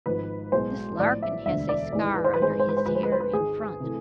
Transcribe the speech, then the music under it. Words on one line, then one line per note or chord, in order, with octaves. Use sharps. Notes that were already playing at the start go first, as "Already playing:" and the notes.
This Larkin has a scar under his hair in front.
G#1 G#2 F3 B4
B1 A2 G#3 C5
A1 A2 F3 D5
E5
E1 D2 D3 E5
D5
G#1 G#2 E3 G#3 D5
B4
C5
B4
G#1 G#2 G#3 C5
B4
C5
B4
C5
D2 D3 F3 G#3 B4
C5
B4
C5
B4
G#1 G#2 G#3 G#4
C3 E3 A3